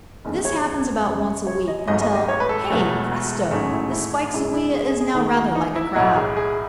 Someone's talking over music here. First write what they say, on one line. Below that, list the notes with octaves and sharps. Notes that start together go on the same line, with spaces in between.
This happens about once a week, until, hey presto! the spiked zoea is now rather like a Crab.
F#1 E2 D#3 G#3
C#5
F#1 F#2 C#3
C#5
D#5
G#1 G#2 F#3 A3 D#5
D#5
D#5
C#5
B4
A4
E1 E2 B2 F#3 A3
A1 G#2 D#3 F#3 A3
E4
E4
G#1 F#2 C#3 G#3 E4
E4
G#4
G#4
G#4
D#2 D#3 A3 G#4
F#4
D#4
E4
B1 A2 F#3 F#4
G#4
G#4